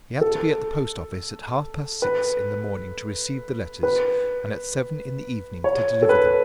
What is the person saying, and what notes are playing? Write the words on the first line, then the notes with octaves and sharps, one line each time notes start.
He had to be at the post office at half-past six in the morning to receive the letters, and at seven in the evening to deliver them.
A4
B4
B4
C#5
A4
B4